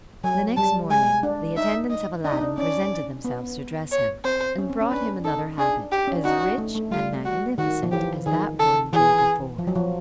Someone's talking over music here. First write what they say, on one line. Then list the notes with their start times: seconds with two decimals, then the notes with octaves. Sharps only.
The next morning the attendants of Aladdin presented themselves to dress him, and brought him another habit, as rich and magnificent as that worn the day before.
0.24 F#3 G#5
0.57 G3 A5
0.90 G#3 G#5
1.23 D4
1.57 D#4 E5
1.90 D#5
2.24 D4 D#5
2.32 D#4
2.41 D4
2.58 C#4 D5
3.24 B3
3.91 C#5
4.24 C4 C5
4.58 C#4
4.70 C4
4.81 C#4
4.91 D4 B4
5.24 D#4 A4
5.58 D4 G#4
5.92 G4
6.07 C#4
6.16 D4
6.24 D#4 F#4
6.58 A3
6.75 A3
6.91 G3 F4
7.25 F#4
7.58 D#3 F#4
7.83 F3
7.91 E3 G4
8.26 D#3 G#4
8.59 A4
8.93 E3 G#4
9.58 F3
9.67 F#3
9.75 F3